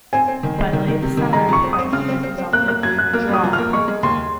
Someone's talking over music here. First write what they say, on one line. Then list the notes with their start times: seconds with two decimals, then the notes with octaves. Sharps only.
By late summer, fighting had resulted in a draw.
0.13 C4 G#5
0.28 C4
0.43 D#3
0.58 G#3
0.73 D#3
0.88 D#3
1.02 C3
1.17 D#3
1.33 G#3 A#5
1.49 F2 C#6
1.64 C4
1.73 D#6
1.79 C4
1.93 C#3 F6
2.08 C4
2.23 C4
2.38 C4
2.53 A#3 F#6
2.68 A#3 F#6
2.83 F#2 G#6
2.98 F#2 F#6
3.13 A#3 F6
3.28 F#2
3.34 D#6
3.44 F3
3.53 F6
3.58 A#3
3.73 G#3 C#6
3.88 G#3
4.03 D#2 C6